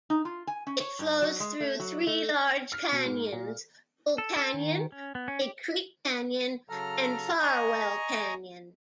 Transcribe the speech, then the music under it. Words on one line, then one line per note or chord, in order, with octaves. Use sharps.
It flows through three large canyons, Bull Canyon, Big Creek Canyon and Farwell Canyon.
D#4
F4
G#5
C#4
C#5
G2
F#3
G#3
A3
F#3
A3
F6
B2
G#2
A#2
A4
A4
D#3
C#4
B3
C#4
G4
C#3 F#3 A4 A#5 F6
D#5 G#5 A#5 C#6